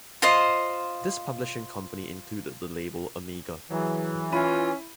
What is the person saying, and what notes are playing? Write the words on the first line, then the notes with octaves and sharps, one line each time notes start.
This publishing company included the label Amiga.
F4 C5 D#5
E3 F#3 G#4
C#4 E4 F4 B5 D#7